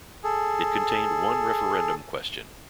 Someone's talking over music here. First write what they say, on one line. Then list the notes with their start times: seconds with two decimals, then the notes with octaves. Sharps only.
It contained one referendum question.
0.24 G#4 A4